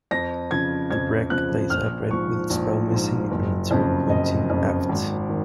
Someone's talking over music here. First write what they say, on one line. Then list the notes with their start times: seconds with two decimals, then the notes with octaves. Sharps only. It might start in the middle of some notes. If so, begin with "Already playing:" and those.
The wreck lies upright with its bow missing and A turret pointing aft.
0.11 F2 A#6
0.51 C#3 F3 G#6
0.91 F2 G#6
1.30 C#3 F3 F#6
1.70 A#1 F6
2.11 G#2 F3 C#6
2.50 A#1
2.90 G#2 F3
3.31 F#1
3.71 F2 C#3
4.10 F#1 D#5
4.50 F2 C#3
4.89 G#1
5.29 D#3